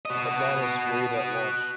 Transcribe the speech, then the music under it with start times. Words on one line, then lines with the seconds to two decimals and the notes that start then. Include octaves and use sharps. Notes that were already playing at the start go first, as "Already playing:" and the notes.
"Atlantis" weighed at launch.
0.05 F#4 D#5